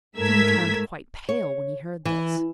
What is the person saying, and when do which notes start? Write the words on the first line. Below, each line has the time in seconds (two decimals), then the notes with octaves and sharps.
The king turned quite pale when he heard this.
0.17 G#2 A3 A#4 E6 G#6 B6
1.29 C#5
2.05 E3